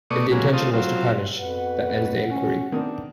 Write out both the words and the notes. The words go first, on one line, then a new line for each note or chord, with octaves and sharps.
If the intention was to punish, that ends the inquiry.
B2 A3 D5 C#6 D#6
F#3 G#3 A#3 C#4
A3 C4 F4 D#6
F#3 C4 F4
F2 B3 F#4 B4 F#5
F2 C4 C#4
D#3 A3 B3 C4 D4 D#6